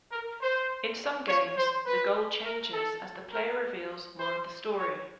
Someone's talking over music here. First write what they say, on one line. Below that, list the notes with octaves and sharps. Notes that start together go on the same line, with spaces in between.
In some games, the goal changes as the player reveals more of the story.
A#4
C5
C#5
C5
B4
A#4
A4
A#4
C5
C#5